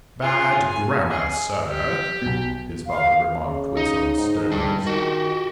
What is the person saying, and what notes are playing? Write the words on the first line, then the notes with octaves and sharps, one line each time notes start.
"Bad grammar, Sir!" his father remarked with some sternness.
F4 G#4
G#5
G#4
G4
B1 B2
F5
C#3
D#4
G#2
G3 D4
D#3 F#4 G4